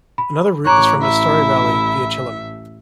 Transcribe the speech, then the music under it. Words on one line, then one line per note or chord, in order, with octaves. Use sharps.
Another route is from Astore valley via Chilim.
B5
A1 C#5 A#5 C#6 D6 F#6
E4 E5